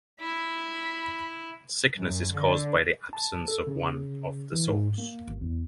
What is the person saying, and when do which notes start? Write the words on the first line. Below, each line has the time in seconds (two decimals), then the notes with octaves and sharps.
Sickness is caused by the absence of one of the souls.
0.20 E4 B5
1.97 F#2
2.33 D3
3.13 A5
3.48 A4
3.67 C#3
4.52 E3
4.67 G#2
4.98 A#3
5.28 G#1
5.41 E2